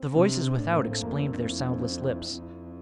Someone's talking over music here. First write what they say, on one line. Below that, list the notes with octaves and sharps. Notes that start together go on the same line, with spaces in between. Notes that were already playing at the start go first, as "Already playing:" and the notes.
The voices without explained their soundless lips.
Already playing: C4
C3 D4
A2 D4
A#3
C4
A#3
A3
F2 A#3
C4
D4
E4
D4
C4
C4
D4
E4
C4
F2 E4